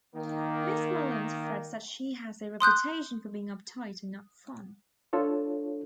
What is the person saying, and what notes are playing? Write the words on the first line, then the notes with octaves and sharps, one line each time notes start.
Miss Mullins frets that she has a reputation for being uptight and not fun.
D#3 A#3
C6 D#6 F#6 G6
D4 F4 A4 C#5